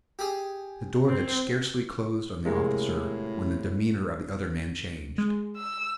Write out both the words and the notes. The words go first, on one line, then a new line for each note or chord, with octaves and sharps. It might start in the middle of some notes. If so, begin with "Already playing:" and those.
The door had scarcely closed on the officer when the demeanor of the other man changed.
G4 G#4
C4
A2 C3 G#3 A#3
G#3
E6